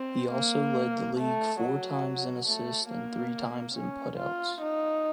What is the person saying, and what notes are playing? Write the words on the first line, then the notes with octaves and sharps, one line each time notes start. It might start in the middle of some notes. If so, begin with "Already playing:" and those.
He also led the league four times in assists and three times in putouts.
Already playing: C4
A#3
A3
F#3
A3
A#3
C#4
F4
D#4